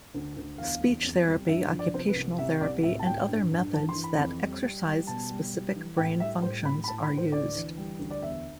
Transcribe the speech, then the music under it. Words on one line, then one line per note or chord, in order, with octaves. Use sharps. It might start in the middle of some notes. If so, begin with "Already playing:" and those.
Speech therapy, occupational therapy, and other methods that "exercise" specific brain functions are used.
D2
D2
E2 F5
E2
F2
G3
G2 E5
F3
D5
C3 C5
B4
C2
C2 E5
C2 D5
A2 E5
A5
A2 G5
G2
G2
E3 A5
C6
E3
B5
F2
G3
G3
G3
B2 A5
G3
G3
E3
A2 G5
G3 E5
A2 C5
A2 B5
B5
A2 A5
B5
A2
C5
D2 D5
E3
G3
D2
D5
E2 E5